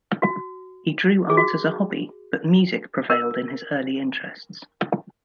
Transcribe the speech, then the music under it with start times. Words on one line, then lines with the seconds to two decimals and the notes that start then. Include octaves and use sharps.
He drew art as a hobby, but music prevailed in his early interests.
0.22 F#4
1.30 G#4
1.37 F#4
3.10 A#4